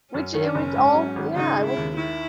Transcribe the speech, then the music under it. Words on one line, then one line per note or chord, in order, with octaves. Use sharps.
Which it would all yeah. It would be
F#2 C#4
D#3
F#1
G#2
F#3
G#1
C#3 D#4
G#3
E4
D#2
D#3 E4